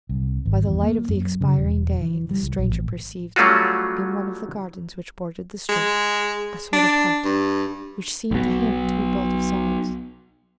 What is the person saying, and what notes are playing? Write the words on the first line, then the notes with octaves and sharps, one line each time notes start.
By the light of the expiring day the stranger perceived, in one of the gardens which bordered the street, a sort of hut, which seemed to him to be built of sods.
C2
G#1
E2
A#3
F#2
C#3
E1
E3
G3
C2
A#1
A1
F#3 G3 A3 C#4 F4 F#4
G#3
D4
G2
B1 B2